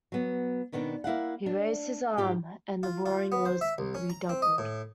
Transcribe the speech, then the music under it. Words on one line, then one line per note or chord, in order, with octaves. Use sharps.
He raised his arm, and the roaring was redoubled.
F#3 B3
B2 D#3 B3 C4 D4
A#3 E4 F5 F#5
D4
G#2 F4 G4 G5
F4
F4
B3
C5
E5
C2
C#4
A#5
C4
D#5
A2